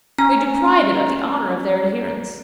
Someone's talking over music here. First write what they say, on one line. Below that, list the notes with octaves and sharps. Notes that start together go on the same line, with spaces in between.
They deprive it of the honour of their adherence.
C#4 A#5